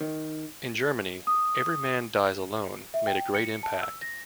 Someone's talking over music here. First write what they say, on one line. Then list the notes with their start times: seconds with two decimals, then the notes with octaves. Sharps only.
In Germany, "Every Man Dies Alone" made a great impact.
0.01 D#3
1.27 D#6
2.94 E5
3.07 G5
3.35 C#7
3.63 A5
3.82 E6
4.02 A#6